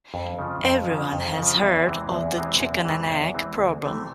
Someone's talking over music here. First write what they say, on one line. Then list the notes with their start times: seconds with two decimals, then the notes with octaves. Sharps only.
Everyone has heard of the chicken and egg problem.
0.14 F2
0.39 C#3 F3
0.64 F2
0.88 C#3 F3
1.13 F2
1.37 C#3
1.42 F3
1.62 E2
1.87 C3 E3 G#3 C4
2.11 E2
2.35 C3 E3 G#3 C4
2.60 E2
2.85 C3 E3 G#3 C4
3.09 E2
3.34 C3 E3 G#3 C4
3.58 D2
3.84 C3 E3 A3 C4